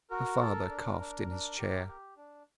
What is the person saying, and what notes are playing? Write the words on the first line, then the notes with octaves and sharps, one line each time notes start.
Her father coughed in his chair.
F#4 A#4
A4
D4
D4
D4
G4
G4
D4